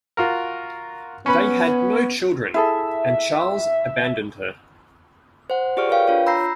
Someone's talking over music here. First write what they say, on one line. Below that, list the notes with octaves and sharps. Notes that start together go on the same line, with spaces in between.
They had no children and Charles abandoned her.
F4 F#4 A#4
B3 C#4 B4 B5
E4 G#4 A4 E5
C5 F#5
F4 G4 G#4 D5 C#6 F6
A#4 B4 C#5 F5 G5
D4 F4 C#5
A#5 B5 E6 G6 A#6 C7